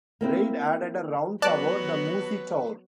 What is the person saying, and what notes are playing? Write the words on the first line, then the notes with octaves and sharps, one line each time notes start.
Reid added a round tower, the Moosie Toor.
A#3 C4 E4
F#3 B3 F#4 B4 D5 A5 F#6